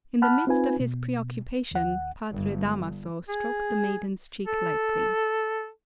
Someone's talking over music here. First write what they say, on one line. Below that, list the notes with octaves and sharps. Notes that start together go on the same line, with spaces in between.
In the midst of his preoccupation Padre Damaso stroked the maiden's cheek lightly.
F#5 A5 B5 F6 F#6
C4 D#4 F4 B4 G#5
B2
D#2 F#5
G1 G2
G#4
A4